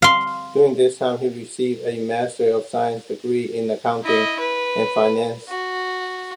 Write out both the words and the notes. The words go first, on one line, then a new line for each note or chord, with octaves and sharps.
During this time, he received a Master of Science degree in Accounting and Finance.
F5 C6
E4 D#5
B4
F#4